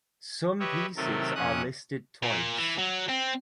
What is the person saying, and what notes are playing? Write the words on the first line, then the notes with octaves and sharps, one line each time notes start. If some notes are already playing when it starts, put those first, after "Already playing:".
Some pieces are listed twice.
G4 B4 C#5 D#5 E5
C3 D#3 F#3 A3 A4 A#4
F2 C3 C#4 D#6 F#6
A#2
E3
F#3
C4